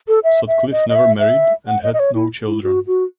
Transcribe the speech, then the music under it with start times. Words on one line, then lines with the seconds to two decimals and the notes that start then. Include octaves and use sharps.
Sutcliff never married and had no children.
0.08 A4
0.24 E5
0.48 E5
0.72 D#5
0.89 D#5
0.95 E5
1.19 E5
1.67 F#5
1.83 D#5
1.94 D#5
1.99 C#5
2.15 E4
2.47 E4
2.63 F#4
2.87 F#4